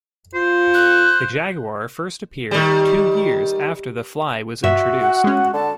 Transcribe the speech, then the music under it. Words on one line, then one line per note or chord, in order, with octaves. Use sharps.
"The Jaguer" first appeared two years after "The Fly" was introduced.
F4 C5
F#6
D#3 G3
G2 F#4 E5
F#5
G#3 C#4
D3 A5